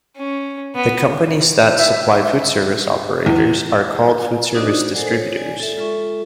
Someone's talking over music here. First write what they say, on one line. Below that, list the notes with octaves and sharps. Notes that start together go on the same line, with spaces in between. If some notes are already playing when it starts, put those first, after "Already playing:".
The companies that supply foodservice operators are called foodservice distributors.
C#4
B3
E5
E2
D4 D#4 F#4 C5 D5 D#5
A4 A#4 C5 F#5 G#5
C#5
D5 G#5
A4 E5
G#3 F4 A4 E5 C#6